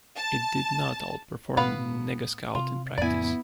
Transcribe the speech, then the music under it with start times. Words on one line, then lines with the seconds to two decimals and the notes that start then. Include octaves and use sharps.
It did not outperform NegaScout in practice.
0.17 A5
1.57 A2 B3 B4 F5
2.55 C3 F4
2.98 F2 A2 C#3 B3 E4 D5 G#5